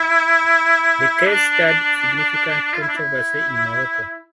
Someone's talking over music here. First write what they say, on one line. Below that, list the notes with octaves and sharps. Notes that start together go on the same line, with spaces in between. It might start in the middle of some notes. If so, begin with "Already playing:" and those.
The case stirred significant controversy in Morocco.
Already playing: E4
D4
F4
E4
D4
E4